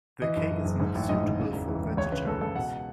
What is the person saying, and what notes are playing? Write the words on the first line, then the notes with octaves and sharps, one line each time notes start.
The cake is not suitable for vegetarians.
E3 D#5
F#1
F#1
F#1
G#2
A1
G#2 D#5
G#2
C#3
E1
E3
E3
C#2 C#5
C#3 B4
C#2 A4
C#2 A4
B2 F#5